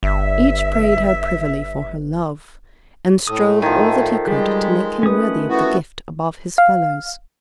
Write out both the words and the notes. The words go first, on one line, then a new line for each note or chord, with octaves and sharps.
Each prayed her privily for her love, and strove all that he could to make him worthy of the gift, above his fellows.
G1 E5
A2 A3 D#6
D#3 F3 G#5
D#4 A4
G3 G#3 G#4
A3 C#4 B4 D#6
A3 B3 E4 F#4
F5